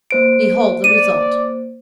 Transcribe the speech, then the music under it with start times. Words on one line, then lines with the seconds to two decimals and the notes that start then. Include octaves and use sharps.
Behold the result!
0.11 A#3 C5 D7
0.84 D5 D#7